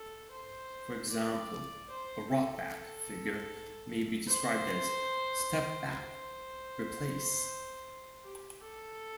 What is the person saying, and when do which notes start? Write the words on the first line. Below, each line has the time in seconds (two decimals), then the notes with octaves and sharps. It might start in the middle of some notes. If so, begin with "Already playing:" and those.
For example, a "rock back" figure may be described as "step back, replace".
Already playing: A4
0.31 C5
1.10 D5
1.90 C5
2.30 A4
4.27 C5
5.85 C5
8.23 G4
8.62 A4